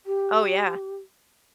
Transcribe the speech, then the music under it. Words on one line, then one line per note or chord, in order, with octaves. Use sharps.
Oh, yeah.
G4